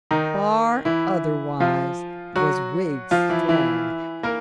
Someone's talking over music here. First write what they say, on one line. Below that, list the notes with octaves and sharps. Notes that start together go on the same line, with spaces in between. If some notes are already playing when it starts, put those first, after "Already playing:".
Far otherwise was Wiggs's fall.
D#3 D#4
E3 E4
F3 F4
F#3 F#4
F3 F4
E3 E4
E3 E4
A#3 A#4